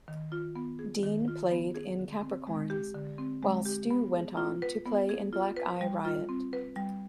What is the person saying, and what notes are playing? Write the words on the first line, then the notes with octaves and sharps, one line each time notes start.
Dean played in Capricorns, while Stu went on to play in Black Eye Riot.
D#3
F4
B3
G#4
D#3
F4
B3
G#4
D3
C4
G#3
G4
D3
C4
G#3
G4
B3
G#4
F4
B4
B3
G#4
F4
B4
G3
F4
C4
B4
G3